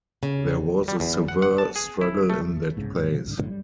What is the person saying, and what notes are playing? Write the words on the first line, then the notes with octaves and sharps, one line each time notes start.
There was a severe struggle in that place.
C#3
G3
E2
F#5
F#5
A5
G#4
E4
A3
G1 C2 G#2 C#3
G#2
B2 D3 E3 F3
C2 G#2 D3
G1 F#2 A2 D3
G3